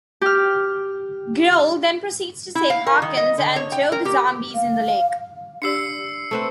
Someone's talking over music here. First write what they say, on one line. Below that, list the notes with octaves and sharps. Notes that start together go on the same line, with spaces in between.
Grohl then proceeds to save Hawkins and throw the zombies in the lake.
G4 F6
E4
F5
A#4
D#3
D#5
D3
C#5
G5
A#4
G4
F5
D4 G4 D5 E6 C7 C#7
A3 C4 B4